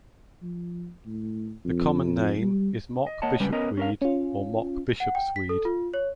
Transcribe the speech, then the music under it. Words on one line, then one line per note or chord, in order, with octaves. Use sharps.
The common name is mock bishopweed or mock bishop's weed.
F3
A2
F2
G3
D#5
A#3 C#5 D#5 F#5 A5
C#3 G3 G#3 C#4 B4
B3 C#4 A#4 D#5 A#5
C#4 A#4 F5
C#4 F4
F#5
G5
B6
A4
F4
C#5